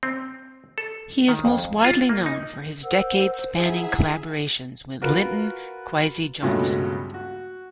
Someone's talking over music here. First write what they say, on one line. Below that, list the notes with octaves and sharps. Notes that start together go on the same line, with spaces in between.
He is most widely known for his decades-spanning collaborations with Linton Kwesi Johnson.
C4
A4
D#3
F2
F4
A#3
D#4
A#4 C5 F#5 E6
E4 G#4 E5 F#5 A#5
F4 F#4 A#4 B4
C#2 G2 B2 F#3 G#3 A3
F#4